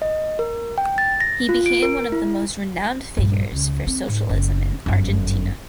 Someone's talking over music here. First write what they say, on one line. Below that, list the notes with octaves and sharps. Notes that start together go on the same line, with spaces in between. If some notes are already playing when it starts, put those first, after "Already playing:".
He became one of the most renamed figures for Socialism in Argentina.
D#5
A#4
G5
A6
A#6
F4
D7
A#4
E4
A#1 G2
C#2
C4
G#2
F#1
G1 F#2